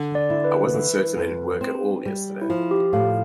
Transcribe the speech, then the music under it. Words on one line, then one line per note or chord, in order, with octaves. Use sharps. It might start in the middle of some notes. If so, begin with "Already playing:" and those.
I wasn't certain it'd work at all yesterday.
Already playing: D3
D5
E4
B4
E3
F2
C4
G3
E4
F3 F4
G4
A2 F5